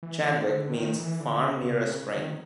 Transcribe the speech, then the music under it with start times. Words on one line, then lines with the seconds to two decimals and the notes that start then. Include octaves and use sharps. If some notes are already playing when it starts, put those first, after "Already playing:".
Chadwick means 'farm near a spring'.
0.03 E3
0.26 D#3
0.50 D3
0.73 D#3
0.97 E3
1.20 D3
1.44 C#3
1.63 C#3
1.68 C3
1.90 C#3
2.14 D#3